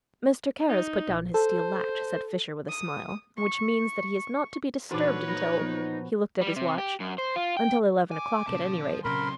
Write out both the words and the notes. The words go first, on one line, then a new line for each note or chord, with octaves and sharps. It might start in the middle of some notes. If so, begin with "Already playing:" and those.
"Mr. Kara's put down his steel latch," said Fisher with a smile, "which means that he is not to be disturbed until--" he looked at his watch, "until eleven o'clock at any rate."
D#4
A#1
A4 C5
D#6
C#6
A#2 D3 E3 D#4 F#4 B4 C#5 D6
D#4 B5
F3 B3
G3
C3
G4
F#2
C5
F4
G5
G#5 D6
A#2 C#3 F3 A5
A#2 C#3 F#3 C4 A#4 B5 C6